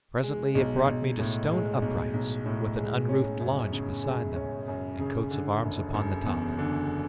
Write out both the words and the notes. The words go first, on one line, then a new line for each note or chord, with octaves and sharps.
Presently it brought me to stone uprights, with an unroofed lodge beside them, and coats of arms upon the top.
G#3
B1
B1
A2
G#3
B1
B1
A2
G#3
C#4
F#2
C#3
G#3
C#4
F#2
C#3
D3
F#1
F#1
E2
D3